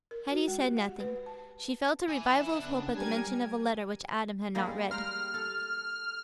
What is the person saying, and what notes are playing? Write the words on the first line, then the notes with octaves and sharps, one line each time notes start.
Hetty said nothing; she felt a revival of hope at the mention of a letter which Adam had not read.
A#4
F#4
G#3
G4
F#5
B4
A5
E4 G#5
C#3 B3 D4
G3 G4 A#4 G#5 G#6
G3 G#3 A#3
G5 A#5 C6 F6
A4